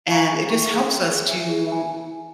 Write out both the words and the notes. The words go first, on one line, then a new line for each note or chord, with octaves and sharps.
and it just helps us to
F5 A#5 C#6
G#4
E5 G5 C#6
G#4
E5 G5 C#6
G#4
E5 G#5
G#4
E5 G#5